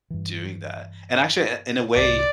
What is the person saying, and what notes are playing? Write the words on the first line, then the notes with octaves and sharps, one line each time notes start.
doing that. And actually, i in a way,
G2 E3
C2 G#2 D5